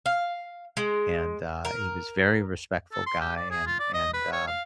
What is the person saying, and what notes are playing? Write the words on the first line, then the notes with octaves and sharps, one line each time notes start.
and, uh, he was very respectful guy and and, uh,
F5
G#3
A#4
A4
C6
G4
D5
G#4
F4
D5
D#5
B4
C#5
F5